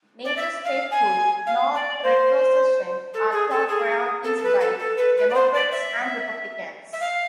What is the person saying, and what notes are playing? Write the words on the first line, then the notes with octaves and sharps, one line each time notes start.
Neither statehood nor retrocession are top priorities by Democrats and Republicans.
D5
E5
F5
G#5
F5
D5
C5
A4
G#4
A4
G#4
A4
A4
B4
A4
A4
B4
B4
D5
C5
D5
E5
E5
F5